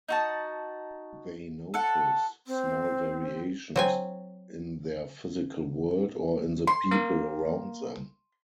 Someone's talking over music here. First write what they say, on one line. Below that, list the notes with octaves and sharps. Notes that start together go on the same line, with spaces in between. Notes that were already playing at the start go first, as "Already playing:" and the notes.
They notice small variations in their physical world or in the people around them.
D#4 F#4 A5
A4 F#5
C4
F#3 C4 G#5
C6
A#3 A#4